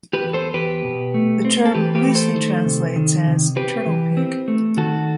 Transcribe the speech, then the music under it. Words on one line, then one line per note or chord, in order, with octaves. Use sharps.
The term loosely translates as "turtle-pig".
G4 B4
E2
A4 C5
E2 G4 B4
B2
A3
C4
A4
E3 G4 B4
G4 B4
A3
A4 C5
D#3
C3
D#3
C3
C4 G4 B4
E3
C4
A3
D#3 F#4 A4